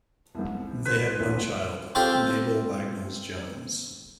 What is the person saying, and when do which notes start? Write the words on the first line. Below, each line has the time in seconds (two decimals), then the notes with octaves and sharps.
They had one child, Mabel Wagnalls Jones.
0.35 C2 G#2
0.85 B4 C5
1.20 A1 D2
1.95 C4 F4 G4 A4 C5